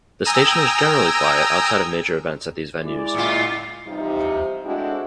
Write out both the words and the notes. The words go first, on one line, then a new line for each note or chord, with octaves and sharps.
The station is generally quiet outside of major events at these venues.
G5 G#5 A#5 D#6 E6
G#3 E4 D5
A2 F4
C3 E3 F3 G3 D#4
G#3 A3 C4 D4 E4 F#4